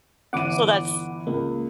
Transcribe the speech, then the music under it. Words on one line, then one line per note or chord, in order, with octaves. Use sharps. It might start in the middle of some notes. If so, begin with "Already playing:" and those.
So that's
G1 E3 F#5 D6 D#7
C#2 A#3